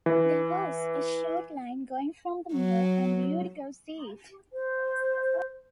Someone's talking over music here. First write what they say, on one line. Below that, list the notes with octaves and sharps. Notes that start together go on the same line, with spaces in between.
There was a short line going from the mill and we'd go see it.
E3
F#3
C5